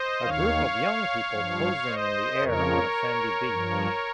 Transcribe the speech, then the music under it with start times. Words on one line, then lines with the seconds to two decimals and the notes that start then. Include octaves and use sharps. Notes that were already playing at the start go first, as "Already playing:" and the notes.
A group of young people posing in the air on a sandy beach.
Already playing: C5 D#5
0.23 D#2 D#3 C#5 F5
1.32 G2 F3
1.86 C5 D#5
2.41 F2 C#3 F3 A#4 C#5
3.49 G2 F3